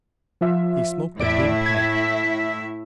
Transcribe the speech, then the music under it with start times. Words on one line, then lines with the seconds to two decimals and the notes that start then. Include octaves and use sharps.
He smoked a big pipe.
0.41 F3 F4 E5
1.19 E2 A2 E4 D5 E5 D7
1.66 G#6
2.05 B6